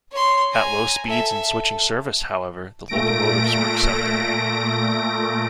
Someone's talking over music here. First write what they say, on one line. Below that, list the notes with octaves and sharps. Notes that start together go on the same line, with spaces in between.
At low speeds in switching service, however, the locomotives were acceptable.
C#5 C6
G#5 A#5
A4 E5
A4
A#2 A3 A#6 D7